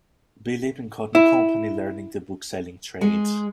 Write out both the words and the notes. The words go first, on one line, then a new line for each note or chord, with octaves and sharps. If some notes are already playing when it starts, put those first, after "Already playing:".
B. Lippincott and Company, learning the bookselling trade.
E4
G#3